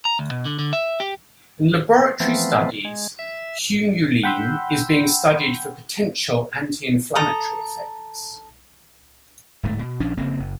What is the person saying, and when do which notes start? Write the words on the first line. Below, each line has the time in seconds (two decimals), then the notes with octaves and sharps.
In laboratory studies, humulene is being studied for potential anti-inflammatory effects.
0.05 A#5
0.19 D2
0.31 B2
0.45 D3
0.59 D3
0.73 E5
1.00 G4
2.20 E3 F3 A3 B3 C4
2.85 G#3
3.19 E5
4.23 F#5 G5 B5 C6 E6 G6
7.15 A4 A#5 D#6
9.63 D1 G#2 G3 A3
9.82 B2
10.00 A#1 F3 C#4 D4
10.17 F1 C#3 A#3 C4
10.40 F#1